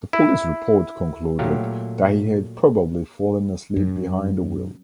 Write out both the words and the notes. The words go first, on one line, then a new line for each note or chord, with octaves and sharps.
The police report concluded, that he had probably fallen asleep behind the wheel.
E4
A#2 F#3 A3 G4 F5 A#5
F#2